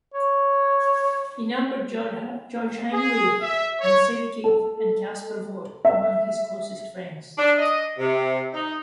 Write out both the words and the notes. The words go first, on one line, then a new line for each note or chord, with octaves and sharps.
He numbered Georg Heinrich Sieveking and Caspar Voght among his closest friends.
C#5
G#4
E5
C#5
A4
E5
D4
D#5
C3
D#4